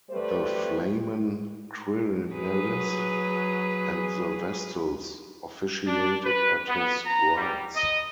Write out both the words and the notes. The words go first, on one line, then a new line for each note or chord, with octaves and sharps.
The "Flamen Quirinalis" and the Vestals officiated at his rites.
G3 A3 B4 C5 D5
F#3 G#4 B4
D4
B4
B3
A#5
G3
D#5